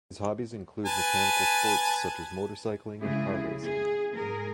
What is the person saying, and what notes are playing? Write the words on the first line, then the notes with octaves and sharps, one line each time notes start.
His hobbies include mechanical sports, such as motorcycling and car racing.
B4 G#5 A5
F2 C#3 G#3 E4 G#4
G#4
G#2 G#4 A#4